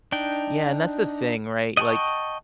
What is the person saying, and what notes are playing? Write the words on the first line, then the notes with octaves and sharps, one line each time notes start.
Yeah, and that's the thing, right? Like,
D4 D#4 G5
D#5 F#5 G5 A5 C#6